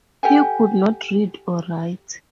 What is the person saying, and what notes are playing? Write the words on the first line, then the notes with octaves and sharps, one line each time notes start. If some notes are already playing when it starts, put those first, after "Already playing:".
He could not read or write.
G4 A4 F#5 G#5